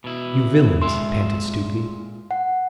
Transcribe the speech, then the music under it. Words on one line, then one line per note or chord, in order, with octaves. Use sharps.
"You villains," panted Stuteley.
B2 E4
A#2 G#3 E5 C6
F#5